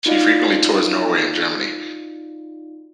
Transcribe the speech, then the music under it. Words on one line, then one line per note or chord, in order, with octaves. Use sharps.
She frequently tours Norway and Germany.
D#4 F4 F#4 D5 D#5 F5